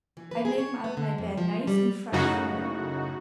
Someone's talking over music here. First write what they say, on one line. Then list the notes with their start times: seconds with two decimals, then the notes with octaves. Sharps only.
I'd make up my bed nice and fresh for you.
0.17 E3
0.31 B4
0.45 G#4
0.58 C#5
0.84 B3
0.97 D3
1.18 F2
1.37 F3
1.67 G3
2.12 F#2 A2 C#3 D#4 F#4